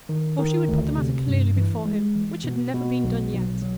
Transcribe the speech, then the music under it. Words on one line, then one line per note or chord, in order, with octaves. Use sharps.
For she would put the matter clearly before him, which had never been done yet.
D#3
D#3
D2
C3
G2
E3
G#3
E3
B2
B2
B1
B1
F#3